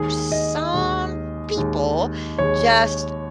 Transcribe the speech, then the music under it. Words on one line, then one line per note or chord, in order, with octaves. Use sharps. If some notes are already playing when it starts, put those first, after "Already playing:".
some people just
Already playing: D#2 D#3 G#3 G#4
D#5
D#2 D#3 G#3
D#2 D#3 G#3
D#2 D#3 G#3 C#5